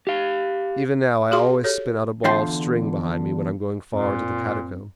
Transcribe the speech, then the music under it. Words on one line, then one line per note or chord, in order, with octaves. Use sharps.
Even now I always spin out a ball of string behind me when I am going far into the catacomb.
G4 F5
F#4 G#4 F5 C6
G4 A4 C#5
E2 D3 F4 G5 C6
F#2 A#2 C4